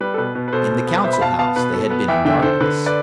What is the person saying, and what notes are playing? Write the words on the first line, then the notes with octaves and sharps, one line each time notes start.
In the Council House they had been in darkness.
G3 B4
A4
B2 B4
B2 B4
B4
B2 A4 C5
B2
B3
B2 C5 E5
B5
B2 F5 A5
B3 F5 A5
B2 B4
B2 A4
B3 B4
E2 E5 G5
D3 E5 G5
D3 A4 C5
D3 B4
B4 D5